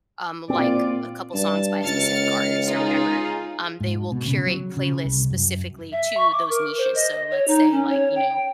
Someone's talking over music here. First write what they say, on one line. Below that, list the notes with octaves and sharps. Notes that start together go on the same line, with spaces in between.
um, like a couple songs by a specific artist or whatever, um, they will curate playlists specifically to those niches. So let's say, like, you know
A#2 C4 F4 D5
G2 A5
C#2 F6 A6 C#7
D#4 F4 G#4
G#2
B2
C#3
F#3
C#3
C2
F#2
E5
C#6
D6
A#4
C5
D#5
C#5
D#4
C#4
C#5
G5